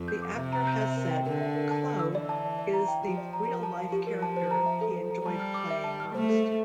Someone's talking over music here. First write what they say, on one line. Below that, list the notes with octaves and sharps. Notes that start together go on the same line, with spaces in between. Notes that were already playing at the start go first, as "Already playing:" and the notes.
The actor has said Clough is the real-life character he enjoyed playing most.
Already playing: F2
G6
D6
C3 E5
A#5
G6
E5
A#4
G5
D3 A#4
E5
A#4
A5
D5
E6
E3 D5
A5
D5
D5
A#5
G5
F3 G4
D5
A#5
F3 A#4
A5
F5
F3 G4
A#4
A5
C5
A#5
E5
A4
C5
A#5
G3 A5
F6
D6
E5
A5
F6
A3 C5
A4
E5